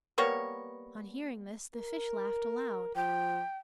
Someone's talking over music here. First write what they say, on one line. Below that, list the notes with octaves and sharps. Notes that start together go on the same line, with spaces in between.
On hearing this the fish laughed aloud.
G3 A#3 B3 C#5
A#4
F3 G5